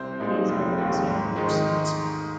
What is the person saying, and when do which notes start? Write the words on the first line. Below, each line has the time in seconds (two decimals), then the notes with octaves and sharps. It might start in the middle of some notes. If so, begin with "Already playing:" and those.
He has been missing ever since.
Already playing: C2 C4 C5
0.20 A#2 G#3 D#4
0.49 F1
0.78 D#2 D#3 G#3
1.07 G#2
1.36 D#3 G#3 D#4